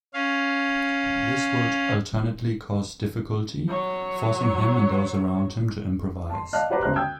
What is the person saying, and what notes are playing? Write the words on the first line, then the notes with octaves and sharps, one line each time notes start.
This would alternately cause difficulty forcing him and those around him to improvise.
C#4 F5
F#3 C#5
A5 C6
D5 D#5 F5 A5 F#6
F#4 G4 B4 C5 D5 A#5
D2 C#3 C5 A#5 F#6
G5 D#6 E6 G6 G#6